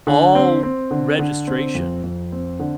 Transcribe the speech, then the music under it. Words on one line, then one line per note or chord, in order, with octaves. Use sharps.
all registration,
D3
C4
C4
D3
D3
C4
F2
F2
C4
D3